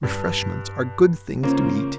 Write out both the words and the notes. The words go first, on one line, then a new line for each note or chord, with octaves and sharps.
"Refreshments are good things to eat!"
G2
C#3 A#3 C#4 F4 C5